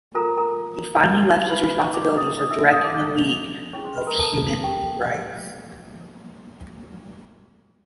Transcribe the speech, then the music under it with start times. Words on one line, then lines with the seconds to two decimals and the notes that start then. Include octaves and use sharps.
He finally left his responsibilities of directing the League of Human Rights.
0.15 F4 A4 A#4 C5 A#5
0.37 A#4 A#5
1.50 B4 B5
1.64 B4 B5
1.80 C#5 C#6
1.94 D#4 F#4 A#4 C#5 D5 D6
2.17 D#5 D#6
2.39 D#5 D#6
2.50 E5 E6
2.61 E5 E6
2.72 D#5 D#6
2.84 D5 D6
3.73 C#4 E4 G#4 C#5 C#6
3.84 C5 C6
3.96 B4 B5
4.07 A#4 A#5
4.19 A4 A5
4.64 G4 G5